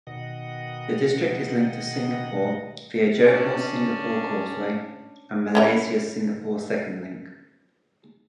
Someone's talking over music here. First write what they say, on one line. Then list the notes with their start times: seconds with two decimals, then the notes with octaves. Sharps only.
The district is linked to Singapore via Johor-Singapore Causeway and Malaysia-Singapore Second Link.
0.07 B2 D#3 D#5 F#5
3.24 C#4 D4
5.55 E3 C#4 E4